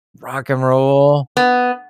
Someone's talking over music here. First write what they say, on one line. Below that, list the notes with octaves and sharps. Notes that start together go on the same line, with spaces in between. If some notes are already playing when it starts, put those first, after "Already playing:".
Rock and Roll,
B3